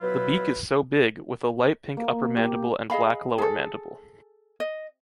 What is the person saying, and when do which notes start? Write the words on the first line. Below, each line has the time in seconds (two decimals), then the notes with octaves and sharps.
The beak is so big with a light pink upper mandible and black lower mandible.
0.01 B2 F#3 E4 F4 B4
1.97 A#3
2.37 G4
2.90 G#4 D#5 F5 B5
3.38 G#4 A4
4.60 D#5